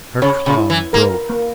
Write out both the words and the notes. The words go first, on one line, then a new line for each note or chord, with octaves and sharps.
Her calm broke.
C#3 C#5
C#3
E4
E3
A#3 A#4
A#3